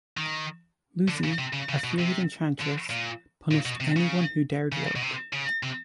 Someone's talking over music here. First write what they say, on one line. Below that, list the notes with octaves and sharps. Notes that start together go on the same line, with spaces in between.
Lussi, a feared enchantress, punished anyone who dared work.
D#3
D3
C#3
C3
C#3
C#3
B2
C3
D3
A#2
A#2
B2
C3
C#3
C#3
B2
C3
C#3
C3